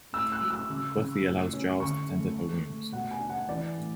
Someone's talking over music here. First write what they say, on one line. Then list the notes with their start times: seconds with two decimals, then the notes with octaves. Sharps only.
Buffy allows Giles to tend her wounds.
0.13 A2 E6
0.32 F#6
0.41 F#3
0.50 E6
0.70 C#3
0.97 C#3
1.25 A2
1.53 C#4
1.80 D3 C#6
2.09 A3
2.37 A3
2.65 A3
2.92 B2 F#5
3.11 G#5
3.20 D4
3.30 F#5
3.48 E3 D5
3.76 A2